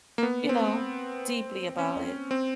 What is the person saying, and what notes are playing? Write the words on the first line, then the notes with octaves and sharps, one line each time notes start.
you know, deeply about it.
A#3
B3
C4
C#4
C4